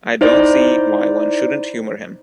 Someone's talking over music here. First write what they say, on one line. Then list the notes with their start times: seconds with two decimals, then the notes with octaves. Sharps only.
I don't see why one shouldn't humour him.
0.21 D#4 E4 C5 D5